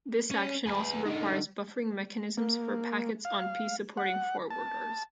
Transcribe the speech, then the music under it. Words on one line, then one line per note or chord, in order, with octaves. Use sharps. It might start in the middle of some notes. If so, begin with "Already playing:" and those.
This action also requires buffering mechanisms for packets on p-supporting forwarders.
C#4
G#4 B4
D3 D#4
A#3
F5
F#5
A5